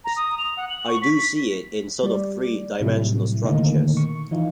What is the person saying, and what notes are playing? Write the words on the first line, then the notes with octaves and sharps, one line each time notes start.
I do see it in sort of three-dimensional structures.
A#5
D#6
F7
F#5
F#7
C#6
B6
B6
G3 D5
A2 C3 F#3 G3 E4
A#2 D3 D#3 A3 A#3 D#4
C#6
E3 D#4 F4